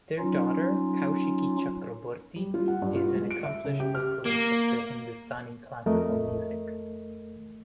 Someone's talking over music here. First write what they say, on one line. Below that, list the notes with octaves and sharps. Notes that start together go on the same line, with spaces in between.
Their daughter, Kaushiki Chakraborty is an accomplished vocalist of Hindustani classical music.
F#3 C#4 D#4 F4
G3
F4
F#5
G2
F4
G#3
D7
E5
C#3
G4
F6
A#3
F2 A3 A#4 D#5